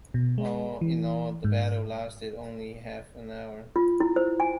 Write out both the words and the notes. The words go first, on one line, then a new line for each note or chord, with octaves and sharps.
All in all, the battle lasted only half an hour.
B2
G#3
E3
G#2
F4
E4
C5
G#5